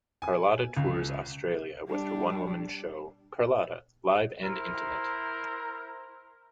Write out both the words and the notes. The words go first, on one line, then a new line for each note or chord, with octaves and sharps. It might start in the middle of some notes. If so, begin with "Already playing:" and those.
Carlotta tours Australia with her one-woman show "Carlotta: Live and Intimate".
G#5
C#2
G3 D4
E4 A#4 C5 A#5